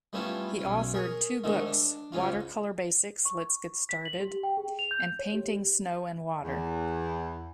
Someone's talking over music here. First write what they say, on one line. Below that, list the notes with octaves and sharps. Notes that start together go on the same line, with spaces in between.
He authored two books, "Watercolour Basics: Let's Get Started" and "Painting Snow and Water".
G3 A3 B3 C#4 E4 F4
B1 C#4
G#4 A#4 C#5
G#2 D3 D#3 G#3 A3
D4
C#2 G#2 C#4 F4
C#6
B6
F#7
G4
G5
G#4
F7
G6
C#5
G4
E2